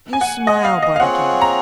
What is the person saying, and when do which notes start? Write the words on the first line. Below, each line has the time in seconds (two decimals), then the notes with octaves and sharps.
You smile, Barbicane.
0.13 G#5
0.21 F#5
0.47 D#5
0.65 F5
0.82 D#5
0.96 F5
1.00 C4 F4 G#4 C#5 F#5
1.41 A#5